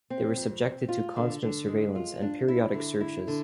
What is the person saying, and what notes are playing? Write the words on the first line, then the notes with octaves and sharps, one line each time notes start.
They were subjected to constant surveillance and periodic searches.
C4
F2
C4
F4
D3
D3
G#3
F4
D4
E4
D3
E4
D3